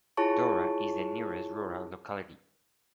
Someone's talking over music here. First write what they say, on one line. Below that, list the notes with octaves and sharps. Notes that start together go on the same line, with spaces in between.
Dora is the nearest rural locality.
E4 F4 G#4 C#5 A5 C#6